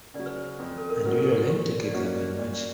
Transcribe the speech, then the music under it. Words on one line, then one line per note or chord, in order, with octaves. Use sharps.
And usually take exams in March.
C#3 F#3 D5
B4
C5
F2
A4
A#4
C#3 F#3 B4
A#4
A4
F#4
A#2 G4
D5
F#3 A#3 C#4 F#4 D#5
D5
A#2 D5
D5